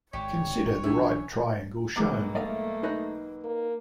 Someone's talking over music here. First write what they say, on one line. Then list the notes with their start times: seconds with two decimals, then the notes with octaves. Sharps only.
Consider the right triangle shown.
0.13 G#1 G4 C#5 D5
0.84 B1 E3 C#4 D4 E5 G#5
1.96 B1 G#2 A#3 D6
2.35 A3 D5 D#5 F5
2.83 D#4 B4 D#5
3.44 A#3